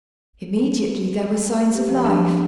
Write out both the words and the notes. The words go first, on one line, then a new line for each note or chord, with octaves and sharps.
Immediately there were signs of life.
G4
F3
D4